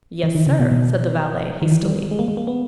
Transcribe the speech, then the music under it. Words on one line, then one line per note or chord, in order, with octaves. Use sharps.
"Yes, sir," said the valet hastily.
E3
D#3
C#3
B2
B2
D#3
E3
G3
G#3
A#3
G#3
A#3
B3